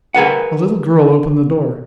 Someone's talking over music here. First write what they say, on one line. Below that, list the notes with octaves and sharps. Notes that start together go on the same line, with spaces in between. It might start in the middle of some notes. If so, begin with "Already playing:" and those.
A little girl opened the door.
G#4 A#4 B4 F#5